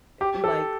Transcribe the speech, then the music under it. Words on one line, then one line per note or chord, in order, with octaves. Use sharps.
i like
G4
A4